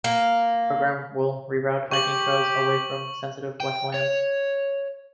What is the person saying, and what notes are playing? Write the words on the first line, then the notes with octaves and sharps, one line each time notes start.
The program will reroute hiking trails away from sensitive wetlands.
A#3
G4 C#6 F#7
G5
C#5